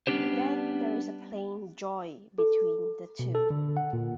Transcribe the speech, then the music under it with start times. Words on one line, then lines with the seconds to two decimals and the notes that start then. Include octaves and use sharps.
Then there is a plain Joy between the two.
0.07 G3 B3 C#4 D4 G4 C5
2.38 A4
3.19 B2
3.35 A4
3.50 D3
3.77 F#5
3.93 A#2